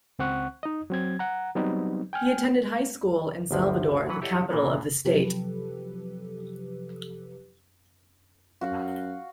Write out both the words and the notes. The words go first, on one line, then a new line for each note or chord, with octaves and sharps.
He attended high school in Salvador, the capital of the state.
C#2 C4 F#5 C#6 F#6
D#4 D#5
F#3 C4 G#6
F#5 A#5
F#3 G3 B3 C4 D#4
G5 G#5 F6
G1 D2 F3
E3 F#3 B4 F#5
E4 G4 A4 C#5 D#5 F#5
A#2 E3 A#3 B3
C3 F3 F#3 G4 A4 B4
F#2 F#4 F5 F#5